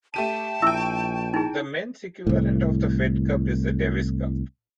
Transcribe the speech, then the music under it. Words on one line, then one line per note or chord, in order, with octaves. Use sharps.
The men's equivalent of the Fed Cup is the Davis Cup.
A3 G4 A5 D#7
A#1 E4 E5 G5 C#6 E6
D#4 E4 G#4
C2 A2